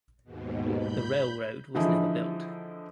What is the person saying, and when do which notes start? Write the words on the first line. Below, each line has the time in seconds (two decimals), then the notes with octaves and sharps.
The railroad was never built.
0.24 D#2 G#2 B2
0.77 B5 G6
1.75 D3 E3 F3 D#4 E4 G#4